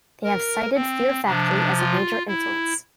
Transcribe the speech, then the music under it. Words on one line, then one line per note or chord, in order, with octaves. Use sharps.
They have cited Fear Factory as a major influence.
A#4
C4
C3 F3 D4
F4
E4